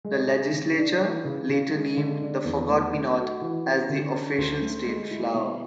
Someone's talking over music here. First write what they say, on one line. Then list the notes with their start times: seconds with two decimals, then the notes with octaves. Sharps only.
The Legislature later named the forget-me-not as the official State flower.
0.05 G#3
0.28 G#4
0.52 C#3
0.76 D4
1.01 E3
1.25 C#3
1.49 C#3
1.73 G#3
1.97 D3
2.22 D4
2.45 E2
2.70 A3
2.93 A3
3.18 F#4
3.42 E3
3.66 C#4
3.89 D3
4.14 C#4
4.38 D2
4.62 A3
4.86 G#3
5.11 E4
5.34 B2